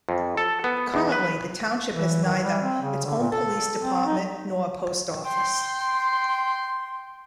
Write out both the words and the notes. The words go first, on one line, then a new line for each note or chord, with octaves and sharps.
Currently, the township has neither its own police department nor a post office.
F2
A4
B3
E2
B4
E3
D#3
G3
C4
C#3
D3
A#2
A4
C4
D#4
G5 C6